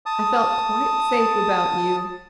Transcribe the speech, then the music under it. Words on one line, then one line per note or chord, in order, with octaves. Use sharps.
I felt quite safe about you.
A5 D#6